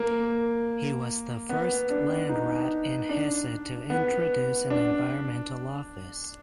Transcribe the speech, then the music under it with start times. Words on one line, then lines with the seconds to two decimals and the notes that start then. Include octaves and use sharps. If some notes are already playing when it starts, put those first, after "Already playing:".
He was the first Landrat in Hesse to introduce an environmental office.
Already playing: A#3
1.49 B3
1.90 D4
2.29 D#4
3.09 D4
3.90 B3
4.70 D4